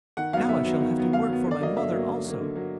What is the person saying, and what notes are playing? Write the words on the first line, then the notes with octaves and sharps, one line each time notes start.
Now I shall have to work for my mother also.
D#3 F#5
F#3 B3 F5
D#3 E5
F#3 B3
D#3
F#3 B3
D#3 F5
F#3 B3
D3
D5
F#3 A#3 D#5
D3 E5
F#3 A#3
D3
F#3 A#3
D3
F#3 A#3